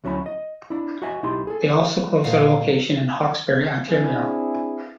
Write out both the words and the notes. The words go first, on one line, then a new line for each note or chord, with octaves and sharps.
They also closed their location in Hawkesbury, Ontario.
D2 F#3 C#4 E4 B5
D#5
D4 E4
F#4 D#5 E5 G#5
B1 D#4 E4 G4 C6
G#4 A4
D2 A#2 F5 F#5
C4 D4 E4 G#4